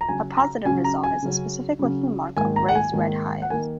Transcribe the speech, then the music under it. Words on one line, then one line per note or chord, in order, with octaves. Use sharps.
A positive result is a specific looking mark of raised red hives.
A#5
C#3 F#3 C#4 G#5
A#5
C#3 F#3 C#4 G#5
A#5
G#5
C#3 F#3 C#4
C#3 F#3 C#4
G#2 D#3 A#3 G#5
A#5
F#5
G#5
G#2 D#3 A#3
F#5
D#3 A#3 G#5